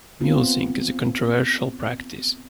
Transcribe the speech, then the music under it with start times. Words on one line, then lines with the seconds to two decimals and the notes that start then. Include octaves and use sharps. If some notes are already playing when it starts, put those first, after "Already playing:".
Mulesing is a controversial practice.
0.21 B3 C4 F4